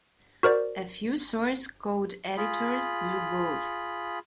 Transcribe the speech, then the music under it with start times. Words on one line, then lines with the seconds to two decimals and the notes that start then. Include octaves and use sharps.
A few source code editors do both.
0.43 F#4 A#4 C5 D5
2.37 F4 G#4 B5